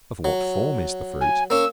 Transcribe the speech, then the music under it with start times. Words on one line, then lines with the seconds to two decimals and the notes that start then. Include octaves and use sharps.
Of what form is the fruit?
0.24 F#3
1.21 G#5
1.50 A#3 C#4 E6